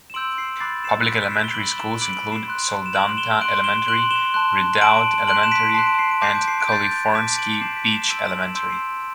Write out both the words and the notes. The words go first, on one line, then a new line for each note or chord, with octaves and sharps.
Public elementary schools include Soldotna Elementary, Redoubt Elementary, and Kalifornsky Beach Elementary.
E7
C6 E6 G6 D7 F#7
C7 E7
B5 D6 F#6 A6 C7
C7 E7
B5 D6 F#6 B6 D7
C7 E7
G7
B5 D6 F#6 D7 F#7
C7 E7
B5 D6 F#6 D7 F#7
D7 F#7
C7 E7
C6 F#6
E7
C6 F#6 D7 F#7
E7 G7
C6 F#6 D7 F#7
E7 G7
C6 F#6 D7 F#7
E7 G7
A5 C6 F#6
A5 C6 F#6 D7 F#7
A5 C6 F#6 D7 F#7
E7
B6 D7
A5 C6 F#6 C7
D7
C7
D7
A5 D6 G6 C7
D7
C7
D7
A5 D6 G6 A6 C7
A5 D6 G6 B6 D7
D7 F#7
A5 D6 G6 C7 E7
B6 D7
C7 E7
C6 E6 G6 D7 F#7
F#7
E7
C6 E6 G6 D7
C7 E7